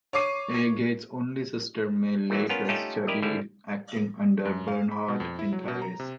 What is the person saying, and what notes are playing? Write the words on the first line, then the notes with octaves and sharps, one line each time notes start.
Agate's only sister, May, later studied acting under Bernhardt in Paris.
C#5 C#6 D6 C7 D#7
A#2 E3 F#3
B3 C#4 F4 A#4
A3 C#4 D#4 F4 G4 A4
E4 G4 A#4 D5 D#5
G#1 D3 G3 E4
F#2
F5
B5
B2
F2
E4
F#3
B2
A#5
C3